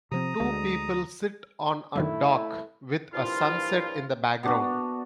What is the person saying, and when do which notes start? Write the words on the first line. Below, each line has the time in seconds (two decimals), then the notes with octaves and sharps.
Two people sit on a dock with a sunset in the background.
0.11 C3 F3 C4 A#5 D#6
0.40 D2 G#3
1.96 F#2 D3 D#3 A3 E4
3.13 G2 A#2 F3 E4 F4
4.43 B3 D4 F#4